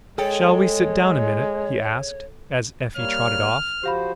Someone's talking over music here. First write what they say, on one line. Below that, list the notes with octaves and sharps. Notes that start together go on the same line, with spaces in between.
"Shall we sit down a minute?" he asked, as Effie trotted off.
G#3 G#4 A4 C#5 G5
G3 A#3 C#5 F6
F3 F#4 G4 C5 F5 B5